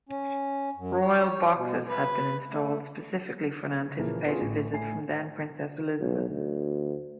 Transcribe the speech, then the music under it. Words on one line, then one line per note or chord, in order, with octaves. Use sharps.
'Royal boxes' had been installed specifically for an anticipated visit from then-Princess Elizabeth.
C#4
F#2
C#5
B2
B4
A3
A#2 C#3 E3 F3 A#3
B3 C#4 F4 G#4
A1
A2 G#5 C7
B1
D2